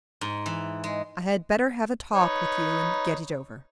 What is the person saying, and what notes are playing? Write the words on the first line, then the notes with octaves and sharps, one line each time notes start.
"I had better have a talk with you and get it over."
G#2
E3
G#3
D#4 B4 C#5